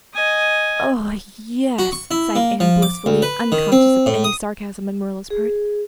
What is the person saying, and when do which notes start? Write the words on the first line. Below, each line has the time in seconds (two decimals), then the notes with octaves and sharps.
"Oh yes," sighed Anne, blissfully unconscious of any sarcasm on Marilla's part.
0.14 D#5 G#5
1.79 F#4
1.92 C#6
2.11 E4
2.36 A#3
2.60 F3
2.82 D6
3.06 D2
3.22 B4
3.52 D#3
3.72 C4
4.06 A2
4.24 D#6
5.30 G#4